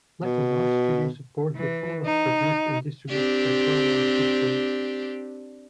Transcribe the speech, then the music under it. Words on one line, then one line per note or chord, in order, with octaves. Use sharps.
Lacking large studio support, the film was produced and distributed by Trimark Pictures.
B2
E3
D#4
C4 D4 G4